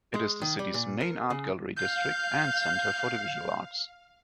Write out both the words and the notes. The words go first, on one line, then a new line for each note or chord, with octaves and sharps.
It is the city's main art gallery district and center for the visual arts.
G#3
D#3
G3
A#2
A#4
C#3
F5 G6